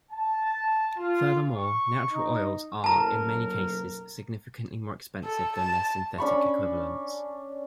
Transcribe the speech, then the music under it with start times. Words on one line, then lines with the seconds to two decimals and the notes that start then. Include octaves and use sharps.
Furthermore, natural oils are in many cases significantly more expensive than their synthetic equivalents.
0.12 A5
0.97 F4
1.56 C#6
2.11 D#4
2.84 F#1 B1 A#4 A5 A#5
5.24 A4
5.56 A5
6.18 C#4 D4 B5 C#6